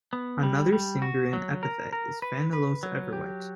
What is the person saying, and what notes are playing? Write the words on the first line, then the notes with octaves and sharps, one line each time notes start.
Another Sindarin epithet is "Fanuilos" "Ever-white".
B3
G3
G3
F#4
F#3
A#4
A#4
B4
B4
F#3
G4